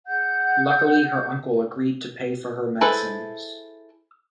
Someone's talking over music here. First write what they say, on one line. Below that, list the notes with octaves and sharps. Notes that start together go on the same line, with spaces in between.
Luckily her uncle agreed to pay for her medicines.
G#4 F#5 G6
E4 G#4 A4 B4 C5